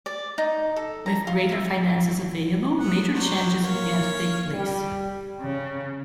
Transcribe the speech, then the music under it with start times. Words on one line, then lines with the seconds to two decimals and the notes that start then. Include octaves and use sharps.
With greater finances available, major changes began to take place.
0.06 D5
0.38 D#4
0.76 A4
1.06 A#5
1.27 F4
1.52 E5
2.80 B3 F#5
3.14 F#3 D4 C5
3.64 A#3 C#5 F5
4.54 G3
5.41 C#3